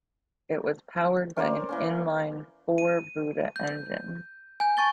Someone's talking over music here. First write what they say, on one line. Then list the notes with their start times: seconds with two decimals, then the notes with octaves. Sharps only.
It was powered by an inline-four Buda engine.
1.36 C#4 A#4 C5 D5
1.69 E3 A#3 C#4
2.78 D#7
3.56 G6
4.60 G#5 G6
4.77 G#5 A5 C#6 A6 G7